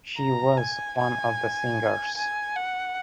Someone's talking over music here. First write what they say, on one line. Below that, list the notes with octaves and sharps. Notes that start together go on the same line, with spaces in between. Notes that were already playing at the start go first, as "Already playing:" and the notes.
She was one of the singers.
A#5
G#5
G#5
G#5
F#5